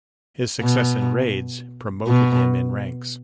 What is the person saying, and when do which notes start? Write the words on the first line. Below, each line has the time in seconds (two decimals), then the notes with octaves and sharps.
His success in raids promoted him in ranks.
0.61 B2
2.07 B2